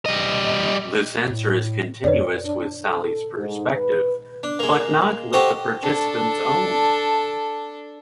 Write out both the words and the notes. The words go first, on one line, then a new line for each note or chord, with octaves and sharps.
This answer is continuous with Sally's perspective, but not with the participant's own.
G3 D#5
A2
F#2 B4 C#5 D5
D4
A4
G#2
B4
D4
G#3 A#3
F#4 G4 A4 C5 D#5
D4 A4